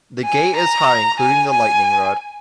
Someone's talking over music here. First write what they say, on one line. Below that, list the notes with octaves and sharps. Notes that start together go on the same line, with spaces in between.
The gate is high including the lightning rod.
G#5
A#5
G#5
G#5